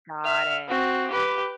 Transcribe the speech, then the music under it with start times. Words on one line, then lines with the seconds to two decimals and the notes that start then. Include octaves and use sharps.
Got it.
0.24 E5 F6
0.68 C4 F#4
1.10 G4 B4